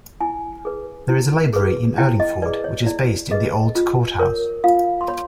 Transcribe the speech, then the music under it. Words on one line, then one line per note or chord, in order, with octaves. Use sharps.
There is a library in Urlingford which is based in the old courthouse.
E4 G#5
G#4 B4
E4
G#4 B4
E4 G5
D#5
G#4 B4 D5
C#5
E4 D5
G#4 B4 D#5
F4
A#4 C#5
F4 F5
C6
C#5 B5